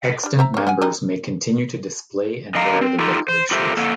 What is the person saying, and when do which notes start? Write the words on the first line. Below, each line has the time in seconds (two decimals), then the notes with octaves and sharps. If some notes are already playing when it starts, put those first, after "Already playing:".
Extant members may continue to display and wear their decorations.
0.23 G3 D4
0.39 C5 E5 A#5
0.54 A#3 C#5
0.67 C#4 F#5 G#5
0.82 G3 G#3 D#4
2.55 D3 D#5 F5 A#5
2.81 C4
2.99 D#4 F4 G4 A4
3.28 C5
3.51 F4 G4 A4 A#4 C5 E5
3.77 A#3 A4 C#5 F#5